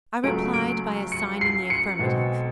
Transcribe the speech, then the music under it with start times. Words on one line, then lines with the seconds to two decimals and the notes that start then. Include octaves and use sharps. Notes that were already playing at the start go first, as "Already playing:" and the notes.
I replied by a sign in the affirmative.
0.23 C#2 C#3 F#3 A3 D7
0.54 D7
1.12 C#7
1.41 C7
1.70 C#7
1.99 B1 B2 G#3 C4